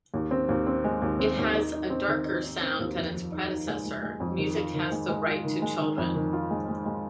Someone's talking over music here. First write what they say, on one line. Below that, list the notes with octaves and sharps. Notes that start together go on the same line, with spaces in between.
It has a darker sound than its predecessor, "Music Has the Right to Children".
D#2
C4
D#2
C4
G#3
D#2
C4
D#2
D#4
D#4
C4
D#3
D#4
D#4
C4
D#2
F2
F3
D#4
D#4
G#3
G#3
G#3
F2
D#3
F4
D#3
G#3
G#3
F4
D#3
G#3
D#3
F2
D#3
F4
G#3
G#3
G#3